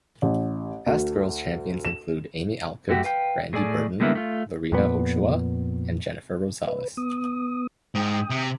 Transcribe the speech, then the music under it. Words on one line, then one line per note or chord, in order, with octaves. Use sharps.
Past girls' champions include Amy Alcott, Brandie Burton, Lorena Ochoa, and Jennifer Rosales.
A1
D2
E7
F#2 A3 F#4 G4
B4 F5 G5
A2 G#4 A4 D5 G#5
D3 G3 G#3 A#3 B3 E4
A3 F4
F2 A#2 B3
B4
B3 D#6
G#2 G5 D#6
C3